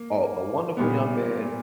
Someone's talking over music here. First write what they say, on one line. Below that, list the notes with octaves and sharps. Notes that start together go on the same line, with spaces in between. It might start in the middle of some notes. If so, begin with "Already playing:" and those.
uh, a wonderful young man,
Already playing: A#3
A#2 G3 B3